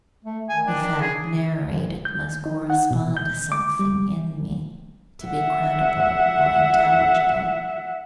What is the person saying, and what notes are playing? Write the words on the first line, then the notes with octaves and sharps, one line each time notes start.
The fact narrated must correspond to something in me to be credible or intelligible.
A3
D#3 G#5
D4
D4
G#4
G6
D#4
F#5
B2
G6
D6
G3
E5 F#5